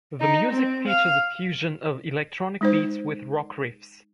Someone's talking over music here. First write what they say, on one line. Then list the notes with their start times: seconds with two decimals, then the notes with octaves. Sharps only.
The music features a fusion of electronic beats with rock riffs.
0.21 D#4
0.51 C4
0.88 F5
2.61 G#3 D#4 C5